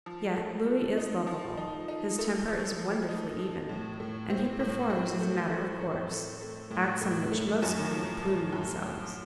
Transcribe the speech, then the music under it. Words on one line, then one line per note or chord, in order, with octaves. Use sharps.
Yet Louis is lovable; his temper is wonderfully even, and he performs, as a matter of course, acts on which most men would plume themselves.
F3
A3
A3
D#4
F3
D#4
D#4
A3
F3
F3
D#4
F3
A2
A2
C4
A2
C4
A3
A3
A3
A3
A3
A2
A2
A3
F#2
F3
F3
F#2
F#2